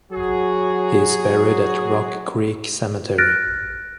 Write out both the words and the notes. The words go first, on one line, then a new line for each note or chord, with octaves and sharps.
He is buried at Rock Creek Cemetery.
F#3 F#4 G#4
F6 F#6 A6 A#6 D7